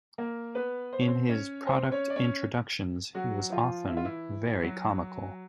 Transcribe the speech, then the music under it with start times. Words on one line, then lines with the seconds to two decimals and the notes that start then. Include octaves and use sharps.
In his product introductions, he was often very comical.
0.18 A#3 A#4
0.55 B3 B4
0.93 C5
1.00 C#5
1.08 C4 C5
1.29 C#4 C#5
1.66 C4 C5
1.91 C#4 C#5
2.10 D5
2.16 C#4 C#5
3.15 F#3 F#4
3.52 F3 F4
3.89 E4
3.97 F4
4.05 E3 E4
4.63 F#3 F#4